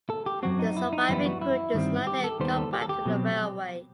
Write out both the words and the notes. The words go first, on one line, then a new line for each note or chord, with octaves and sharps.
The surviving crew dismounted and got back to the railway.
A4
G4
F#2 F#3 C4 F#4
D#4
E4
D#4
F#2 E3 G3 B3 E4
F#4
E4
G2 D#3 G3 C4
G4
A4
D#2 D#3 G3 B3 C5
A4
G4
A4
G4
B2 F#3 C4